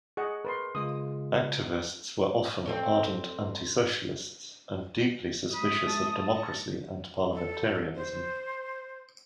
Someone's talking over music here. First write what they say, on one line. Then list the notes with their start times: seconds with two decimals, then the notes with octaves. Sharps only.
Activists were often ardent anti-Socialists and deeply suspicious of democracy and parliamentarism.
0.17 G#4 D#5 F#5 C#6
0.45 A#4 B4 C6
0.75 C#3 G#3 F4 D#6
2.66 C4 A4 C#5
5.54 G#3 E5 B5 D#6
5.87 A5
6.27 A#6 C#7
7.34 A4
7.96 C5